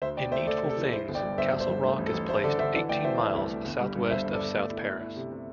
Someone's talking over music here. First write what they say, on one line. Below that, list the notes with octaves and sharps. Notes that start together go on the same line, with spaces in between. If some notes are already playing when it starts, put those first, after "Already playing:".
In Needful Things, Castle Rock is placed eighteen miles southwest of South Paris.
D2 C5 E5
D2 D5 G5
A3 C5 E5
A3 A4 D5
C3
A4
E3
E4 C5
G1
D5 G5
G2
G1 C5 E5
G2
C5
G2
A3 C5
A1
A4
A1
A3 C5
D3 A4 D5
D3 C5 E5
E3 A4 D5
A3 D5 G5
E3 C5 E5
A3
C2
A3
G1
G3
G2
G1 C5 E5
G1
A4 D5
G1
A3
E4
A3
E4
C3
C3